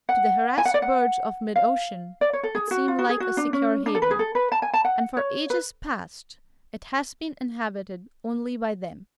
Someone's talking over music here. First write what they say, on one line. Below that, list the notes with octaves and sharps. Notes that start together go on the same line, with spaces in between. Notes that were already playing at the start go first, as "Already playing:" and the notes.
To the harassed birds of mid-ocean, it seemed like a secure haven, and for ages past it has been inhabited only by them.
F#5
G#5
F#5
D5
F#5
F5
D5
C#5
A4
G#4
F#4
F4
F#4
G#4
F#4
D4
C#4
D4
A4
B4
G#4
A4
B4
A5
G#5
A5
F#5
C#5
B4